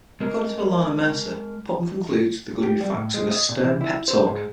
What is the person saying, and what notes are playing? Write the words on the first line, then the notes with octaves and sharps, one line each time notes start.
According to Ilana Mercer "Putnam concludes the gloomy facts with a stern pep talk".
G#3 A#4
G4
G3
A2
G#3
D#5
A#2
E3
E4
C5
G#2